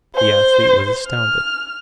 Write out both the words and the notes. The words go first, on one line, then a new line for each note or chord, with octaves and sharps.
The athlete was astounded.
C5
F6